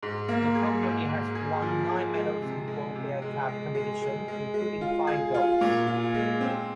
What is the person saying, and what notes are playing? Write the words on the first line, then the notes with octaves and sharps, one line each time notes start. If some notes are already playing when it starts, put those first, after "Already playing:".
The company has won nine medals in World Beer Cup competition, including five golds.
G#2
A#3
G#4
G#2
G#2
G#4
F3
G#4
G#3
C3
G#3
C3
G#3
G#3
G#3
G#3
G#3
G#3
F4
G#4
F4
A#2
F4
G#3
C4